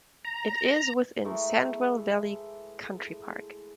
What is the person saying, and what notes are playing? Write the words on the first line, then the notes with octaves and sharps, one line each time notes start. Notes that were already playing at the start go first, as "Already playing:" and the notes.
It is within Sandwell Valley Country Park.
A#5
E3 G#3 A3 A#5